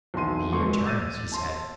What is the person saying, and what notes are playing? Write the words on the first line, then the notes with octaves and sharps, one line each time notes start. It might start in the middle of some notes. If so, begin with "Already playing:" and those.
"The year turns," he said.
B1 E2 B3 C6 D#7
E1 C#2 A3 C6 C#6
D6 E6 A6 D#7
A5 C6